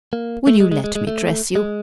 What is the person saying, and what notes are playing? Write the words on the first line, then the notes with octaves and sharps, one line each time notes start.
Will you let me dress you?
A#3
A3
G#3
G#3
G#3
G#3
A3
G#3